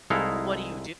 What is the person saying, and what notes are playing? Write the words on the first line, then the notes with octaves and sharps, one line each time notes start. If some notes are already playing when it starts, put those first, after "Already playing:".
what do you,
C2 G#3 D#4 E4 A4 F5